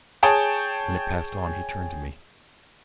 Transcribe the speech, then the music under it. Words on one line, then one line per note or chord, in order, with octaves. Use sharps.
When it passed on, he turned to me.
G#4 C#5 G5 A5 D#6 G6